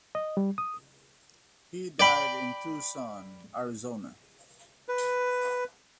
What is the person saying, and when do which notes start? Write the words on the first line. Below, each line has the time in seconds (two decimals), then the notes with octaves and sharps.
He died in Tucson, Arizona.
0.15 D#5
0.37 G3
0.58 D#6
2.00 D5 G5 B5
4.89 B4